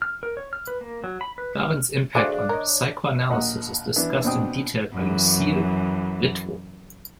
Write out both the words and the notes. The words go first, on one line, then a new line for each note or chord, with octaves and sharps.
Darwin's impact on psychoanalysis is discussed in detail by Lucille Ritvo.
F6
A#4
C#5
F6
B4
A#3
F#3
B5
B4
F6
A3 D4 F#4 G#4 C5 D5 F5 D6
A#4 C#5 D#5
A#1 D#2 D#5 F#5 A#5
E3 B3 D4
D#2 B2 C4 D4 G5 D#6
F#2 E3